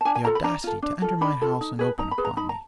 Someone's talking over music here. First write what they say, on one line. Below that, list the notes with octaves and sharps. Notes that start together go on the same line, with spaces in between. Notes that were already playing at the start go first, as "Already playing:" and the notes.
The audacity to enter my house, and open upon me!
A5
D4 G#5
G#5
F4 A4 A#5
B5
D4 A#5
F4 A4
D4
F4 A4
D4 B5
F4 A4
D#4
G#4 B4
D#4 A#5
B5
G#4 B4
A#5
D#4 B5
A#5